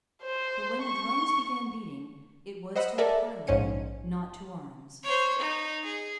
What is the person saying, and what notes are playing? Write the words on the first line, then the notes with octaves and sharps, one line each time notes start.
But when the drums began beating, it was to a parley, not to arms.
C5
C#6
C5 D#5 F#5 B5 E6
A4 A#4 D5 E5 G#5
A#1 G#2 C#4 G#5 C#7 D#7
C5 C#5
D#4
G#4